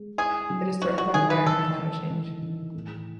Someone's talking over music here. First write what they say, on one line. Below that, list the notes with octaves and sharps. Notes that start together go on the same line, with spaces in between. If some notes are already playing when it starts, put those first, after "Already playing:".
It is threatened by fire and climate change.
Already playing: G#3
E4 G#4
F#3
E4 F#4
F#4
D#3 G#4
B4
E3 A4
E3
E3
E3
A2